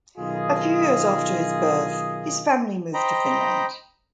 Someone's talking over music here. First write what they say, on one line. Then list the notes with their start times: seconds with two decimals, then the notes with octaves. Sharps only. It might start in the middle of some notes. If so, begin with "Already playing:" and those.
A few years after his birth, his family moved to Finland.
0.18 B1 D#3 F4 G#4 D#5
2.94 C5 D#5 G5 A#5 B5